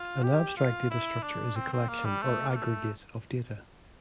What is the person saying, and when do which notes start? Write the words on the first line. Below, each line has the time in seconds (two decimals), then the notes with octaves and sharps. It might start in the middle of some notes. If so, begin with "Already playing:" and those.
An abstract data structure is a collection, or aggregate, of data.
Already playing: F4
0.24 G4
0.57 F4
0.90 E4
1.23 D4
1.55 C4
1.73 C4
1.89 A#3
2.05 G3
2.23 A3
2.50 A#3
2.56 A3